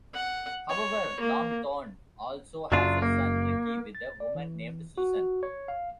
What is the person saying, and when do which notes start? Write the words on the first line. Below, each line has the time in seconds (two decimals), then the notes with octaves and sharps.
However, Longthorne also has a son, Ricky, with a woman named Susan.
0.14 F#5
0.69 C#5
1.20 A#3
2.72 F#1 F#2 F#3 D4 F4
3.02 A#3
3.95 A6
4.20 D5
4.35 E3
4.98 F#4
5.43 C#5
5.68 F5